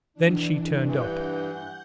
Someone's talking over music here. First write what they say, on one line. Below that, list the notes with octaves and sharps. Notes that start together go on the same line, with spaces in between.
Then she turned up.
E3 D4
G2 E3 F#5 G6